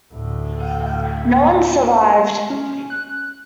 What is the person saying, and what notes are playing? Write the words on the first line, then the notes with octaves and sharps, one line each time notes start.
No one survived.
D2 A2
C#4
F#6